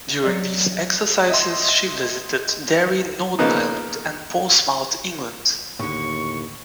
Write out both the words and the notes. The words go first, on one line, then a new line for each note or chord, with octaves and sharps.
During these exercises, she visited Derry, Northern Ireland, and Portsmouth, England.
F#3 D5 D#5
D#5 E5 C6
C#3 F3 A#3 B3 D#4
D#2 A2 D3 C#6